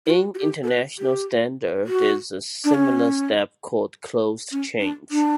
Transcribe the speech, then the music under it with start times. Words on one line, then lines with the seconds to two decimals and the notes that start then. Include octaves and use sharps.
In International Standard there is a similar step called Closed Change.
0.06 E4
0.10 F#4
0.35 F#4
0.39 G4
0.64 A4
0.68 B4
0.99 G4
1.87 F#4
2.64 D4
2.74 C#4
4.52 C#4
4.80 D4
5.11 D4